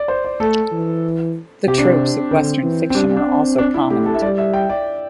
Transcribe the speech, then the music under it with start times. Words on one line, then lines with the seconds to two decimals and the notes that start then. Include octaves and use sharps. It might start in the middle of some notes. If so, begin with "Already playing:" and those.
The tropes of Western fiction are also prominent.
Already playing: D5
0.08 C5
0.25 D5
0.40 A3 A4
0.72 E3
1.67 C3 G4
1.78 D4
1.89 C4
2.31 D3 C4
2.63 E3
2.90 C4
2.94 G3 D4
3.16 D4
3.27 C4
3.58 D4
3.74 E4
3.90 A3 G4
4.06 A4
4.14 E5
4.22 G3 D5
4.38 E5
4.54 G5
4.70 D5